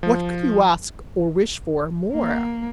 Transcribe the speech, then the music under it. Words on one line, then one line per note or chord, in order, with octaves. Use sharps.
What could you ask, or wish for, more?
F3
A#3